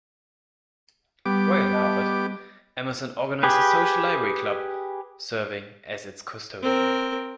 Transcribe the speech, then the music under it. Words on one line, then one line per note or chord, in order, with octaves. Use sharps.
While in Harvard, Emerson organized a social library club, serving as its custodian.
G3 B3 G4 D6
D#5 A5
G4 G#4 B4
C4 A#4